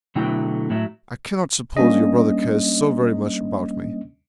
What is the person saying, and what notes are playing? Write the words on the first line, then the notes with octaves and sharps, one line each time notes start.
I cannot suppose your brother cares so very much about me.
B2 D3 F#3 A3 E4 G5
A2 F#3 E4
G3 A#3 C#4 D4 D#5